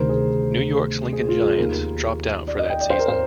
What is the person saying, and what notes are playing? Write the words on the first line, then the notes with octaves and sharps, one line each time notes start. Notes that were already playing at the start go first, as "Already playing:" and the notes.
New York's Lincoln Giants dropped out for that season.
Already playing: D2 C3 D#3 A#4 C5
G#4
G#4
F4
G#4
D#2 D#3 A#4
D5
D#5
G5
D5
C5
A#4
C5